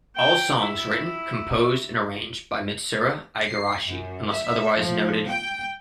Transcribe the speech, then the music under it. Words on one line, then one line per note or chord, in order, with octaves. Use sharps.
All songs written, composed and arranged by Mitsuru Igarashi, unless otherwise noted.
G5
E4
C7
F#2
E5
F3
G5